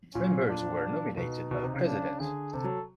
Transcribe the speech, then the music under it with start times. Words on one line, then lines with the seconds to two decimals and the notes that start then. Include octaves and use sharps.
Its members were nominated by the president.
0.15 A#2 C#4
0.49 D4
1.17 B2 D#4
1.51 B2
1.63 C3
1.74 C#3
1.85 C#3 D4
2.20 D3 G#4
2.53 C3 A4
2.64 F#3